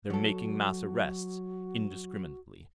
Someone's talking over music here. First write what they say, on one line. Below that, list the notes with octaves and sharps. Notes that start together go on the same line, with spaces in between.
They're making mass arrests, indiscriminately.
F#3 F#4 A4